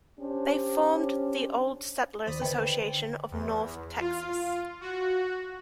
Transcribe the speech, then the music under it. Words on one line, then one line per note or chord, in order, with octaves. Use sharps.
They formed the Old Settlers Association of North Texas.
C#4 D4 G4 C5
D#2 D#3 C5 D5 B5 D#6
D3 B4 C5 D#5 G5
E2
F4
F#4